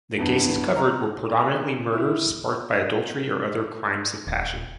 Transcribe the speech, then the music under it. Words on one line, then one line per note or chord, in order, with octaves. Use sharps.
The cases covered were predominantly murders sparked by adultery or other crimes of passion.
E2 G2
A#5
E4
D#1